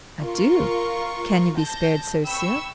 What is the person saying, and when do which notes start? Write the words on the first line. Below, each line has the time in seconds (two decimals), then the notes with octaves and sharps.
"I do: can you be spared so soon?"
0.23 F4 A#4 C#6
1.59 A5 G6 A#6
2.27 G5 B5 C#6 E6